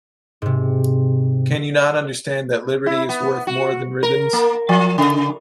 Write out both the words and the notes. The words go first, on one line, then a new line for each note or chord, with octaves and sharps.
Can you not understand that liberty is worth more than ribbons?
G#2 C3
E4
B3
F#4
A#4
A#3
F3
C#3